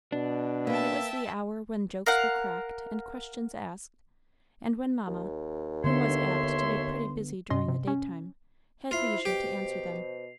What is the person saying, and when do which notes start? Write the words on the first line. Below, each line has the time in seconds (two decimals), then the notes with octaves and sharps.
It was the hour when jokes were cracked and questions asked, and when Mamma, who was apt to be pretty busy during the daytime, had leisure to answer them.
0.12 B2 D4
0.67 A#3 B4 E5 G5 A5
2.06 A#4 F5 F#5
5.07 D#2
5.84 D3 B3 C#5 E5 C6
7.50 G2 C3 C#4 D#5 C6
7.68 C3
7.87 C#4
8.91 E4 F4 C5 C7 F7
9.25 B2 G4